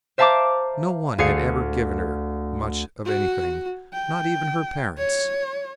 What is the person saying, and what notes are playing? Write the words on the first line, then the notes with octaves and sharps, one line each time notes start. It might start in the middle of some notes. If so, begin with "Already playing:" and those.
No one had ever given her much of anything--not even her parents.
C5 E5 F5 A5 A#5 D6
D2 G#4 F5 C#7
F#4
G5
C#5